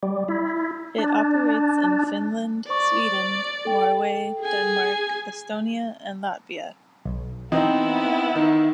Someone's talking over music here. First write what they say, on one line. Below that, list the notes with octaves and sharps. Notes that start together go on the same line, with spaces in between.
It operates in Finland, Sweden, Norway, Denmark, Estonia and Latvia.
G3
E4
D4
C5 D5 C#6 D6
A4 G5
G#4 G#5
B1
E3 B3 C4 D#4 E4
D#3 D#4